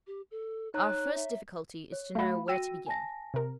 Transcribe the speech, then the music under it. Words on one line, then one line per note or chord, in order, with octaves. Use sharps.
Our first difficulty is to know where to begin.
G4
A4
D#4 C#5 A#5 F#6
E5
C#5
A3 F#4 F5 B5
F#4 G5 E6 A#6 D#7
G#5 A5 A#6
C3 A#4